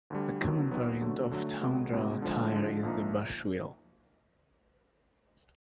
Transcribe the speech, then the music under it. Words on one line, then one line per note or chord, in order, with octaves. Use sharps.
A common variant of tundra tire is the bushwheel.
D2 D3 G3
D#2 D#3 F#3 B3
D#2 D#3 F#3 B3
D3 F#3 A3
D3 F#3 A3
C#2 B2 G#3 B3
C#2 B2 G#3 B3
D3 F3 G#3
D3 F3 G#3
A#1 F3 A#3 D#4